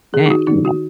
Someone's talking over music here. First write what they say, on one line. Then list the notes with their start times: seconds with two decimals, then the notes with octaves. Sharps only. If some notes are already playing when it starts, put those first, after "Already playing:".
na you know."
0.14 D#3 G#4
0.26 D#4
0.31 F#4
0.47 D#3 D#4
0.65 F#4